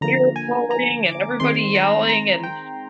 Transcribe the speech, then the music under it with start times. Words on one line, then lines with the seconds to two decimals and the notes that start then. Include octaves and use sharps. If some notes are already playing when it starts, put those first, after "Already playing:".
hair-pulling and everybody yelling, and
0.01 D3 F3 A#3 A#5
0.36 G#5
0.71 A#5
1.06 D6
1.40 D#3 G#3 C4 C6
1.75 A#5
2.09 A#5
2.43 G5